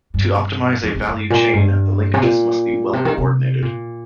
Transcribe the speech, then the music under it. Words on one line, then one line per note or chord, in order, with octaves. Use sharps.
To optimize a value chain, the linkages must be well coordinated.
G2
F2
F2
G2
A#2
G2
C3
A#2
C3
D#3
C3
A#2